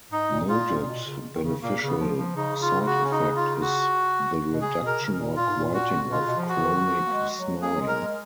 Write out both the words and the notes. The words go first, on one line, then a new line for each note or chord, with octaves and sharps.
Noted beneficial side-effect is the reduction or quieting of chronic snoring.
G#2 D#4
A#2
A#2 F4
A#2
A#2
B2
C#3
D#3
C#3
A#2 A#3
C#3
B3
F3
F3
C#3 D#4
F4
F#4
C#4
D#4
F4
F#4
B2
C#3 G#4
B2
A#4
C#3
A#2
A#2 F4
G#2
A#2
F#4
B2 F4
C#3
B2
F3
F#4
C#3
D#3
F3
A#3
G#3
F#3
A#3 G#4
F#3
G#3
A#4
G#3